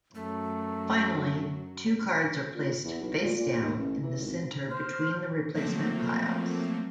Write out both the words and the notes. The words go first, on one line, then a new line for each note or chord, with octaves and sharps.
Finally, two cards are placed face down in the center between the replacement piles.
F#2 F#3 A3
A#2
E2
B1
A#2
A#2
D#2
A1
E3
G#1
C5 F6
F3 F#3 A3 A#3 C4